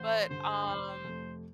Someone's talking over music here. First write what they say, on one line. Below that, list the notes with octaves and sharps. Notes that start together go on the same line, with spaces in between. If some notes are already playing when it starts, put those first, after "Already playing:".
But, um,
Already playing: A1 C5
G2 D3 C5
F1 C5
F2 C3 A3